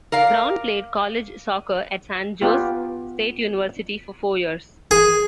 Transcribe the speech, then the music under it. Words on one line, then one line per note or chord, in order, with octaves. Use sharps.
Brown played college soccer at San Jose State University for four years.
A#4 D5 F5
B3 F4 G4
G#4